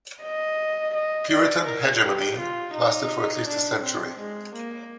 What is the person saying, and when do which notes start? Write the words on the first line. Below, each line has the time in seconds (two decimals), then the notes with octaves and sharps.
Puritan hegemony lasted for at least a century.
0.23 D#5
0.95 D#5
1.31 D5
1.67 A#4
2.03 G4
2.39 F4
2.74 D#4
3.47 D4
3.83 C4
4.20 G#3
4.55 A#3